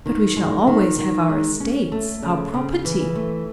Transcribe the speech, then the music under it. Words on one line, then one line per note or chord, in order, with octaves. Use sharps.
"But we shall always have our estates, our property."
D#3
G#3
D#3
D#3
G#3
C#4
A3
C#3
C#3
E3
A3